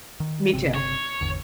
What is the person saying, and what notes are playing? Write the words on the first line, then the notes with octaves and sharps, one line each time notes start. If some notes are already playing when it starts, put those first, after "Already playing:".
Me too.
D#3
G1 C3 C4
C#5
G#1 E2 D3